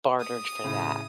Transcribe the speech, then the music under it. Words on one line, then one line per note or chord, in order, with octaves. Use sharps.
bartered for that.
D#6
A2 C#3